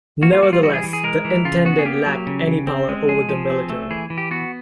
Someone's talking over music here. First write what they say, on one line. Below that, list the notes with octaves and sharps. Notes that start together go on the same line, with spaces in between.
Nevertheless, the intendant lacked any power over the military.
A#3 F#4
F4
G3 F#4
F4
E3 F#4
G#4
E3
G#4
G#3 A#4
E3
C#3 F4
B3 F#4
G#4
A#3 G4
F#3
C#3
C#3
C4
G#3
F3 G#4
F3
C4
A3
E3 G#4
E3
G4
B3 F#4